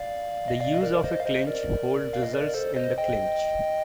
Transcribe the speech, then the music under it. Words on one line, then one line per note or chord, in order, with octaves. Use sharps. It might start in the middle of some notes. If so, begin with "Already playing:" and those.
The use of a clinch hold results in the clinch.
Already playing: D5 F5
D#5
D5 F5
D#5
A#4 D5
C5 D#5
F5
C5 D#5
A#4 D5
F5
D#5
A#4 D5
A4 C5
C5 D#5
D#5 G5